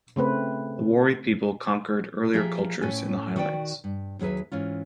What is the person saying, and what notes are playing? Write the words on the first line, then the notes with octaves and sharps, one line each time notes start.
The Wari' people conquered earlier cultures in the highlands.
C#3 A3 C4 B4
F3 A#3 G4 G#4 A#4 E5
A2 C#4 E4 A4 G#5
D#3 F#4 B4 D5 G5
G2
D#2 F#3 G#4 B4 E5
G#2 E3 C#4 F4